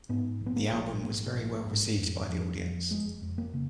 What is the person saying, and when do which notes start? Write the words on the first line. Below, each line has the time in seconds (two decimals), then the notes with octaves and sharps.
The album was very well received by the audience.
0.09 G#2 B3
0.41 A#1
0.46 B3
0.56 A#3
0.72 A#1
1.03 G#2 A#3
1.34 A#1
1.66 G#2
1.96 F2
2.28 F2
2.59 F2
2.90 F#1 G#3
3.22 F2
3.38 A#3
3.53 C#3